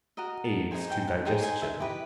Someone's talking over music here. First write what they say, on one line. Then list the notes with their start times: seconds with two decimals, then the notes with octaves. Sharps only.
Aids to digestion.
0.17 F#4 A#4 D#5 A#5
0.45 A5
0.71 D#4 G#4 C5 G#5
0.90 G5
1.02 G5
1.07 F#5
1.25 D#4 G#4 C5 G5
1.44 G#5
1.62 E5
1.80 E4 G4 B4 D#5